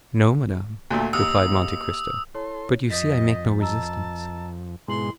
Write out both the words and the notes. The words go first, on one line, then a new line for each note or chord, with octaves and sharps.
"No, madame," replied Monte Cristo; "but you see I make no resistance."
D2 A#2 A3
D#2 D#6 E6
E4 A4 C#5 C6
F2 D#5 G6 A6 B6
D#5 A5 A#5 E6
G#2 B2 G#3 E4 C6 F#7